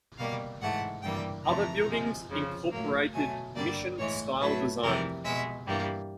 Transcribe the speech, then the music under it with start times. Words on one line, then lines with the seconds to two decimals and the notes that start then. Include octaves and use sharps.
Other buildings incorporated Mission style design.
0.18 B2 G3 A#3 F5
0.61 G#2 E3 A3 F#5
1.03 G2 E3 G3 A#3 G5
1.45 F2 C3 E3 A3 A#5
1.87 C3 F3 G#3
2.29 F2 C#3 F3
2.71 A2 F#3 A#3
3.14 B2 F#3 A3 G#5
3.56 G2 D3 G3 A#3 D5
3.98 A2 E3 G#3 C#5
4.40 A2 F#3 A3 B4
4.82 F2 C3 E3 G3 A#4
5.24 B2 G#3 E5
5.67 G2 E3 G3 A#3